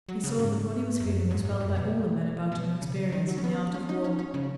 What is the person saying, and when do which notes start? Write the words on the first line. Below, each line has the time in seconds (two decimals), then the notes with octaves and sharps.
He saw that what he was feeling was felt by all the men about him experienced in the art of war.
0.09 F#3
0.24 C#3
0.39 G#2
1.00 F#2
1.31 G#2
1.45 G#2
1.60 F#2
1.76 B2
2.52 B2
2.82 C#3
3.12 D#3
3.28 F#3
3.38 C#4
3.44 B3
3.74 C#4
3.89 D#4
4.04 C#4
4.19 C#4
4.34 C#3